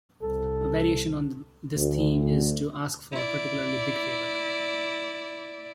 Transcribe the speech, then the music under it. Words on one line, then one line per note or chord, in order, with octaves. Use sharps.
A variation on this theme is to ask for a particularly big favor.
C2 A4
D2
E4 D5